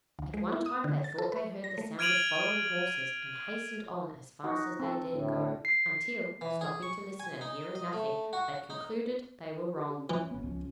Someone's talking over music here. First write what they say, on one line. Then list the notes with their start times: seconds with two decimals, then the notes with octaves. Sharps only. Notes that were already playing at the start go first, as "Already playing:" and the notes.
At one time they thought they heard the sound of following horses, and hastened on as fast as they dared go, until, stopping to listen and hearing nothing, they concluded they were wrong.
0.19 D2
0.34 G#3
0.52 E4
0.66 D#6
0.84 D3
1.04 A6
1.18 A4
1.32 B4
1.64 A#6
1.78 A3
1.99 F6 G#6 D7 D#7 F7 F#7
4.44 D#4 F#4
4.79 C4 A4
5.13 D2 A2
5.65 C7
6.41 E3
6.61 G#4
6.83 C#6
7.20 G#5
7.41 D#4
7.75 D#5
7.93 A3
8.33 F#4
8.70 D#4
9.75 G4
9.96 C#4
10.10 E3
10.31 G#1 B3
10.43 C#2 F3